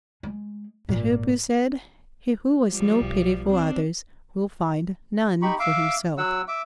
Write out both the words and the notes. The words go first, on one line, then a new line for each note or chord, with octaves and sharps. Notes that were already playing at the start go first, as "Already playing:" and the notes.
The Hoopoe said, "He who has no pity for others will find none for himself."
G#3
G#1 A#2
F3 G3
B1
C4 D4
D#4 G4 B5 C#6
E5 F5 D6
F#3 F#5 E6
E5 D6